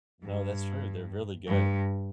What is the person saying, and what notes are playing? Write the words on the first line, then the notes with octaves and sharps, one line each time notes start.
No, that's true, they're really good.
G2
G2